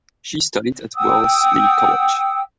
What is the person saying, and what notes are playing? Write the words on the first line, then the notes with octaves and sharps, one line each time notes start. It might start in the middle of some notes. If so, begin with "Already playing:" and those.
She studied at Wellesley College.
F#5 G5 D#6 E6